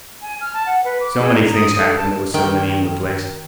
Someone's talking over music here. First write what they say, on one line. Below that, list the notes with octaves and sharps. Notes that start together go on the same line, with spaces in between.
So many things happened--there were so many in the place.
G#5
F6
A5
F#5
B4
D6
G#4
A#5
D#6
A4
A5
D#3 G5